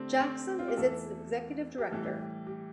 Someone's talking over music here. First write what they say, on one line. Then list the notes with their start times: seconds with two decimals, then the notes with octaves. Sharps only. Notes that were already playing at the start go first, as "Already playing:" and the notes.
Jackson is its executive director.
Already playing: D3 A3 C4 D4 G4
0.20 C4
0.59 F4
0.68 G4
0.77 E2 E3 A3 A4
1.78 G4
1.91 A2 E3 G3 A4
2.05 G4
2.19 G4
2.47 G4